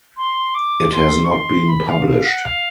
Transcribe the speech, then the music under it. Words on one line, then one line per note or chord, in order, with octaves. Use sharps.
It has not been published.
C6
D6
C6
C#6
C6
B5
F5
F5
F#5
F5